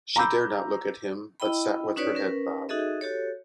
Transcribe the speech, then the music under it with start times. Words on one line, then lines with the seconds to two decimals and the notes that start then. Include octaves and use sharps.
She dared not look at him, but sat with her head bowed.
0.16 A#5 B5 D6 E6 G6
1.40 E4 D#5 G5 B5
1.96 C#4 D#4 F#4 B4 C#5 D5
2.15 C#4 A#4 B4
2.69 D#4 F#4 G#4 A4 D#5 E5
3.01 F#4 G4 A4 C#5